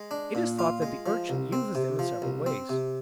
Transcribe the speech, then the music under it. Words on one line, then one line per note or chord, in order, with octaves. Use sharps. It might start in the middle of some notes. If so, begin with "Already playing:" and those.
It is thought that the Urchin uses them in several ways.
Already playing: G#3
D4
A#2
F4
G#3
F3
C2
C4
C3
F3
C2
C4
C3